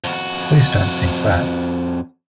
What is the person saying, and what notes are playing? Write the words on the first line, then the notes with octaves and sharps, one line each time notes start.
Please don't think that.
F2 F#4